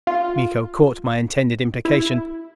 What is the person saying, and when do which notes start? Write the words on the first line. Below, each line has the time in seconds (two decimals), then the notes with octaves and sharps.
Miko caught my intended implication.
0.07 F4
1.85 E4